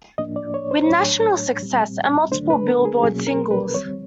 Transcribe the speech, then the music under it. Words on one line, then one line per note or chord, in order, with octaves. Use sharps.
With national success and multiple Billboard singles.
A2 F3 A#3 D4 D#5
D5
C#5
C5
A2 F#3 A3 D4 C#5
A#2 G3 C4
D3 F#3 A3 D4 C5
B4
A#4
G#4
B2 F#3 A#3 C#4 G#4
A#4
B4
D#3 G3 C4 C#5